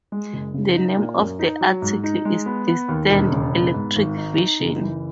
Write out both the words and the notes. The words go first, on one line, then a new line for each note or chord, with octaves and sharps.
The name of the article is "Distant Electric Vision".
G#3
F#1
C#3
D#4
A#2
F#2
D#4
F#3
G#2
D#4
G#3
B3
B3
D#2
E1
C#3
B3
G#2
G#1
D#4
D#4
F#1
E3